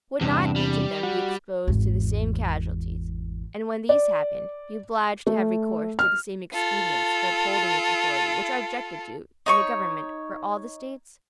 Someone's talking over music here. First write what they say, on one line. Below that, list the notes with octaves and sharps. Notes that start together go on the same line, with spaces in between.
Would not each of them be exposed to the same casualties; and when these happened, be obliged to have recourse to the same expedients for upholding its authority which are objected to in a government for all the States?
E2 G2 C3 D4
G3
F#4
G#1 E2
D5
A3
F6
F4 A4
D#4 C#5 C#6